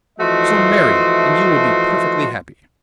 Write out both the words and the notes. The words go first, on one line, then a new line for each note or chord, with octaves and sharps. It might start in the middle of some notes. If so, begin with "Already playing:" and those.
So marry, and you will be perfectly happy.'
E3 F3 A3 F#4 D#5 C6